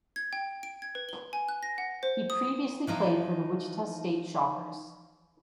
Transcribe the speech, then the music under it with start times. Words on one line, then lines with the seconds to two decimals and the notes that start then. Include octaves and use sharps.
He previously played for the Wichita State Shockers.
0.16 G#6
0.33 G5
0.63 D7
0.82 G#6
0.95 B4
1.09 G7
1.33 G#5
1.49 F#6
1.63 A#6
1.78 F#5
2.03 C5
2.30 D#6
2.87 E3 F3 D#4 F4